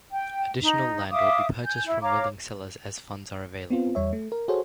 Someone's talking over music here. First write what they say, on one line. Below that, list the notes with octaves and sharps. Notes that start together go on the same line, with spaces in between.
Additional land will be purchased from willing sellers as funds are available.
G5
D#4
E5 F5 D6 D#6
G#5 G6
E4
C#5 F5 A#5 D6
B3 C4 F4
E2 G3 C#5 E5
A3
A#4
F#4 G#4 A4 C5 C#5